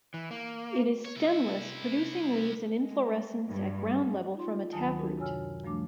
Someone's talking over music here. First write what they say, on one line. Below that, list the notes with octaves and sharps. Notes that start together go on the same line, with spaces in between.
It is stemless, producing leaves and inflorescence at ground level from a taproot.
E3
A#3
C#5
C2 E4
G#3
G2
D#4 F4 C6
D2 D#3 F#3 G#5 A5 D#6
D4 F#4 A#4
F#2 C3 C#5 G#5 E6 F6
F#2 F3 G3 A3 D4 D6